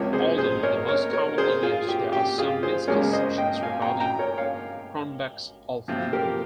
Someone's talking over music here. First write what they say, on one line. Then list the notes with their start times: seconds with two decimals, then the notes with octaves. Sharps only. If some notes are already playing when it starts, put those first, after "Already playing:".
Although the most commonly used, there are some misconceptions regarding Cronbach's alpha.
Already playing: C#2 C3 F3 A#4 C#5
0.13 G#4 C5
0.38 G#4 C5
0.63 A#4 C#5
0.88 A#4 C#5
1.13 A#4 C#5
1.29 A#4
1.38 G#4 C5
1.63 F4 G#4
1.88 G4
2.13 G4
2.38 F4 G#4
2.63 G#4 C5
2.88 C#2 C#3 G#3 A#4 C#5
3.13 C5 D#5
3.38 D#5 G5
3.63 F5 G#5
3.82 G5 A#5
4.00 G5 A#5
4.19 A#4 C#5
4.38 C#5 F5
5.88 C3 F3 C4 F4
6.13 G4 A#4